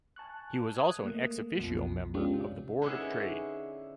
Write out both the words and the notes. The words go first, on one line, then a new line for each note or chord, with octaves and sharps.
He was also an "ex officio" member of the board of trade.
G#5 A5 C#6 F#6
D#6 F#6 G#6
A3 A#3
B1 F2 B2 F3
G#3 B3 C#4 D4 F4 G4
C3
D3 B3 C#4 D#4 E4 G#4